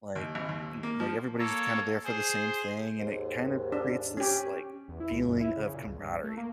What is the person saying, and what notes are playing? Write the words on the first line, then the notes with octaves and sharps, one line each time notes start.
Like, m like, everybody's kinda there for the same thing, and it kind of creates this, like, feeling of camaraderie,
D#2
G#1
D#2
A#3
F3
A#3 A4 C#5
G#4 C5
D#2 G#2
D4
C#4 G4
E2
E4
C#2
F#2
E4
C#3
A#2
C#2
G2
A3
A#3